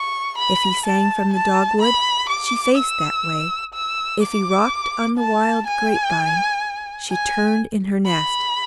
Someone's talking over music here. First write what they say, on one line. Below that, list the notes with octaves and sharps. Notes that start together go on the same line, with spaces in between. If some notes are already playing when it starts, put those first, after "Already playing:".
If he sang from the dogwood, she faced that way. If he rocked on the wild grape-vine, she turned in her nest.
Already playing: C#6
B5
A5
A5
B5
D6
E6
E6
D6
A5
G#5
G#5
B5